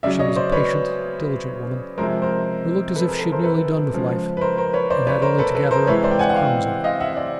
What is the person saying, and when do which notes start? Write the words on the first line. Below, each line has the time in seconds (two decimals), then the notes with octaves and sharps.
She was a patient diligent woman, who looked as if she had nearly done with life, and had only to gather up the crumbs of it.
0.03 C#3 F#3 D5 E5
0.19 C#5 D#5
0.36 C5 D5
0.52 B4 C#5
1.98 C3 F3 G#3 A#4 C5
2.22 A#4 C5
2.96 A4 B4
3.08 G#4 A#4
3.20 A4 B4
3.32 A#4 C5
3.44 A4 B4
3.93 C#3 F3 G#3
4.37 B4
4.41 A#4 C5
4.57 A#4 C5
4.73 B4 C#5
4.90 C5 D5
5.07 B4 C#5
5.22 A#4 C5
5.38 A4 B4
5.55 A4 B4
5.71 A#4 C5
5.87 C3 E3 G#3 B4 C#5
6.04 C5 D5
6.11 G5
6.19 F#5 G#5
6.29 F#5
6.36 F5 G5
6.84 D#5 F5
7.00 E5 F#5
7.16 D5 E5